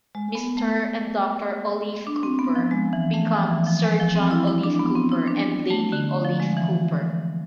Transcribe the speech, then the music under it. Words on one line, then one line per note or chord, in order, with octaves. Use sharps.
Mr. and Doctor Olliff-Cooper become Sir John Olliff-Cooper and Lady Olliff-Cooper.
G#3
B3
A3
D4
C4
B3
F3
G#3
E3
A3
F3
E3
F3
G#3
F3
C4
E4
E4
D4
B3
C4
E4
D4
A3
D3
F3
G#3
E3